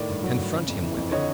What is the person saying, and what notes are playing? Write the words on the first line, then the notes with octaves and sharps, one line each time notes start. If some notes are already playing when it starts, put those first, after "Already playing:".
"Confront him with it."
Already playing: A2 D#3 D5
G2
F#3
G2
C#3
F2
E3
F2
D3 C#5 D#5